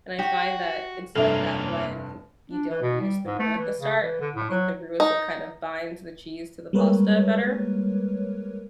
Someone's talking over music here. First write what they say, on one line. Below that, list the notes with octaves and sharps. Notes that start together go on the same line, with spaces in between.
And I find that it's like that when you don't use the roux at the start. I think the roux is what kind of binds the cheese to the pasta better.
F#4 G4 F#5
F1 G2 A#3 C#4 D4 A4 E5
D4
E3
B2
G3
G#2
A3
E3
C#3
E3
D3
A2
F#3
D#4
G3 G#3 A#3 A#4 B4 C#5